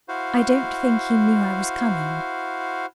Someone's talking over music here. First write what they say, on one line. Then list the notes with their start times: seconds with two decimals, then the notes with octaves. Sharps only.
"I don't think he knew I was coming."
0.09 E4 F#4 C5 F5